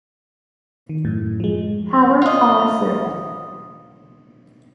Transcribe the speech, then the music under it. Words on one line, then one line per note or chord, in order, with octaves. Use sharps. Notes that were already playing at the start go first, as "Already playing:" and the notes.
Power Car Survey.
D#3
F#2 A2
F3 G#3
F4 D#5